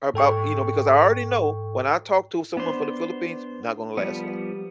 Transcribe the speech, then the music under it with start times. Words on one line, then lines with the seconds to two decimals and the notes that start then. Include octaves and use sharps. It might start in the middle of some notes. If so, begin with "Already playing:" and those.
or about, you know, because I already know when I talk to someone from The Philippines, not gonna last long.
0.14 G#2 A4 G5 C#6
2.57 B3 D4 C5
3.97 F3 G3 B3